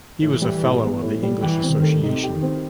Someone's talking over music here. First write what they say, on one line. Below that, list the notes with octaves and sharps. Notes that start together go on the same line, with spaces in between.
He was a Fellow of the English Association.
A2 E3
G3
A2
B3
A2
G3
E3 G4
C4
D#3
A3
C3 D#4
G4
D#3
C4